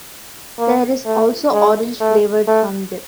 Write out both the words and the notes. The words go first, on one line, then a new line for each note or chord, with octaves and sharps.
There is also orange flavored Fun Dip.
A#3
A3
G#3
A3
A3